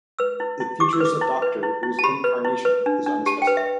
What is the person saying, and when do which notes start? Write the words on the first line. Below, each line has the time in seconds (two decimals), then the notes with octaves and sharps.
It features a Doctor whose incarnation is unspecified.
0.19 B4 E6
0.40 E4
0.60 E4
0.80 G4 D6
0.93 E6
1.00 B4 D6
1.21 E4
1.42 B4
1.63 E4
1.83 E4
1.99 A5
2.04 G4 B5
2.24 B4
2.45 E4
2.65 B4
2.86 D4
3.06 D4
3.26 G4 A5
3.42 G5
3.47 B4
3.57 E5